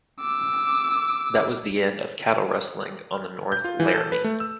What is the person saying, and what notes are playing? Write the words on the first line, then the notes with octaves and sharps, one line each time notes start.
That was the end of cattle rustling on the North Laramie.
D6 E6
G6
F4
E3
A4
B4
A3
E6